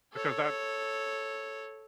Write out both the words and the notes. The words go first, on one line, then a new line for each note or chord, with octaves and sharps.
because that
A4 C#5